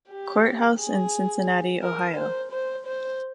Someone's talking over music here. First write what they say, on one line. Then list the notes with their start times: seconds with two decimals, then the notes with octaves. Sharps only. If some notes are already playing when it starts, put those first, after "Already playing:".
Courthouse in Cincinnati, Ohio.
0.09 G4
0.79 G#4
1.83 A#4
2.16 C5
2.51 C5
2.86 C5